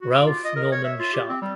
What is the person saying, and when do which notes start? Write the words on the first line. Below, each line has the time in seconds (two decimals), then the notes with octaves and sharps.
Ralph Norman Sharp.
0.02 F#4
0.14 D6
0.26 F4
0.44 D#5
0.56 A#4
0.72 C#5
0.84 E5
0.99 F4
1.13 G4
1.29 C4
1.42 G3